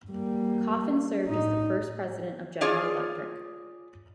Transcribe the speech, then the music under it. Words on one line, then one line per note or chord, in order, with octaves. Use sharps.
Coffin served as the first president of General Electric.
G3 A#3
A2 D#4
F4 G#4 C#5 D5 F5